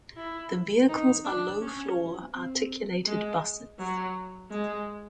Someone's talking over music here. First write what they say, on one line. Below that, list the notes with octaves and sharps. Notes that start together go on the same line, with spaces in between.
The vehicles are low-floor, articulated buses.
E4
D#4
D4
C#4
C4
G#3
F#3
G#3